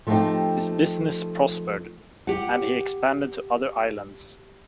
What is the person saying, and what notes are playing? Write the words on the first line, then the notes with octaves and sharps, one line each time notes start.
His business prospered and he expanded to other islands.
F3 A3 B3 C4 D#4 G4
G4 F#5